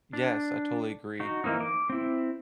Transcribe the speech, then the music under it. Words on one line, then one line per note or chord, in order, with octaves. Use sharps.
Yes, I totally agree.
D4
D#4 F#4
E3 A#3 C4 D#4
D6
C4 E4